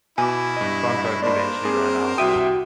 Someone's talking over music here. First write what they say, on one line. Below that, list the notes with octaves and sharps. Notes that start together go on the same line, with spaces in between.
His contract eventually ran out.
B2 E4 G#5 D6
G2 D#5
A#3 D4 A#4 C5 D5 B5
A#3 C4 G#4 D6
C2 F#4 E5 G5 D#6 D7 D#7